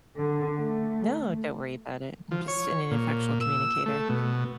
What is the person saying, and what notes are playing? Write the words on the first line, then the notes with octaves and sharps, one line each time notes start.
No. Don't worry about it. I'm just an ineffectual communicator.
D3
A3
F3
C#5
A#2
E6
A3
B2